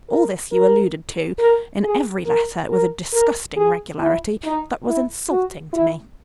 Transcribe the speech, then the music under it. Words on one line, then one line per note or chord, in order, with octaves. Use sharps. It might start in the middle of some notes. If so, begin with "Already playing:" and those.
All this you alluded to in every letter with a disgusting regularity that was insulting to me.
A#4
A#4
A#4
G#4
A#4
A#4
A#4
G#4
E4
D#4
E4
F#4
E4